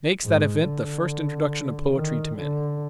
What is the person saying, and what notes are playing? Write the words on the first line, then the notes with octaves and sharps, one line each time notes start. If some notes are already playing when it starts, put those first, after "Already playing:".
He makes that event the first introduction of poetry to men.
G#2
D3
D#3
D3